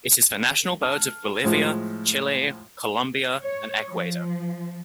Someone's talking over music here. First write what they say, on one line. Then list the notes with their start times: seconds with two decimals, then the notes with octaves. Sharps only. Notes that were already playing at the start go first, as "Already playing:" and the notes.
It is the national bird of Bolivia, Chile, Colombia, and Ecuador.
0.83 A5 F6
1.44 A2 F3 G#3
3.43 C#5
3.89 F3